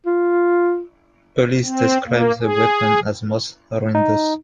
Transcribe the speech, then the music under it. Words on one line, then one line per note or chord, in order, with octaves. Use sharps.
Police described the weapon as "most horrendous".
F4
C4
A#3
G#4
D#4